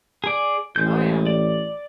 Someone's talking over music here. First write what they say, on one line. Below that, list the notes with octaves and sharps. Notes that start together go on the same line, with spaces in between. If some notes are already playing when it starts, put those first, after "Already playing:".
Oh, yeah.
G#4 D5
A1 G#3 G6
D5